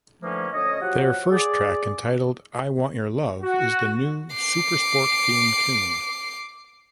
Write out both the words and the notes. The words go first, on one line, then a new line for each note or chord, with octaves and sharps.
Their first track; entitled "I Want Your Love" is the new SuperSport theme tune.
D3 E3 F3 A3 A#3 C#4
D2 C#4 C#5 D#5
F3 F#3 G4 F#5
G#4 D5
F#4
D6 C7